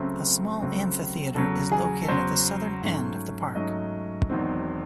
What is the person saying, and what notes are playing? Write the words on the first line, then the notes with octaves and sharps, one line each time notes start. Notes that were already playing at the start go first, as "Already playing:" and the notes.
A small amphitheatre is located at the southern end of the park.
Already playing: C#2 C#3 F#3 A3 C4 E5
C#2 C#3 F#3 A3 C4
E2 C#3 F#3 A4
G#4
A4
E2 C#3 F#3 C5
G#2 F#3 A3 C#4
G#2 F#3 A3 C#4 D#5
E1 E2 D#3 F#3 C4